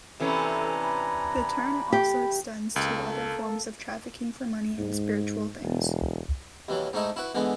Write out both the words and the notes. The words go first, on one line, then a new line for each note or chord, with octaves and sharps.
The term also extends to other forms of trafficking for money in spiritual things.
C3 E3 C#4 D4 A4 G#5 A#5
B5
G4
C#2 A#3 A4
G#2
E1
D#2 E3 F#3
G#2 A3 D#4 E4
E4 F#4 B4
D3 E3 G#3 B3